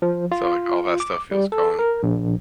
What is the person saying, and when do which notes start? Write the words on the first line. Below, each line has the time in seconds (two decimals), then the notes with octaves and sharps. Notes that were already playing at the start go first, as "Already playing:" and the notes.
So, like, all that stuff feels gone.
0.02 F3
0.32 F4
1.00 D6
1.31 G3
1.52 A4
1.79 A#4
2.03 A#1